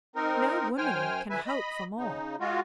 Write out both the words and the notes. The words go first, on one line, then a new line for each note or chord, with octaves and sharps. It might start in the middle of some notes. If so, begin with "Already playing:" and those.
No woman can hope for more.
C4 D#4 A#4
F#2 C5 G5 G#5 F6
D2 B4 E5 G#5
D#5 B5
C#3 D#4
G#3 F4 F#4